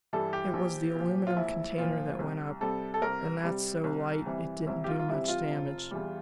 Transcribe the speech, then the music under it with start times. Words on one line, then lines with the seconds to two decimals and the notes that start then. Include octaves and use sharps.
It was the aluminum container that went up, and that's so light it didn't do much damage.
0.13 G2 E3 G3 A4
0.33 G4
0.54 A#1
0.95 A#2 F3
1.27 F4
1.36 A#1 E4
1.78 A#2 F3 F4
2.19 C2
2.61 C3 G3 A4
2.94 A4
3.02 C2 A#4
3.44 C3 G3
3.84 C2
4.26 C3 E3 G3
4.67 C2 E4
4.84 G4
4.88 F4
5.00 F4
5.08 C3 E3 G3 E4
5.28 F4
5.50 F1
5.91 E2 E3 G3